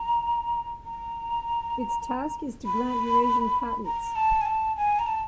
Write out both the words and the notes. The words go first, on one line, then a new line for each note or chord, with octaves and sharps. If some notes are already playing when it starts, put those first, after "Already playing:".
Its task is to grant Eurasian patents.
Already playing: A#5
A#5
B5
A#5
A5
G#5
A5
G#5
A#5
A5